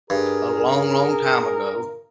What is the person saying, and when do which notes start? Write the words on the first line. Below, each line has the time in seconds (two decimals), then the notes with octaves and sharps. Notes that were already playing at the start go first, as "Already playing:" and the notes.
a long, long time ago,
0.10 G2 G#4 A#4